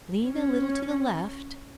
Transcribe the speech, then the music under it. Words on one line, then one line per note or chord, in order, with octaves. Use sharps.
Lean a little to the left.
C#4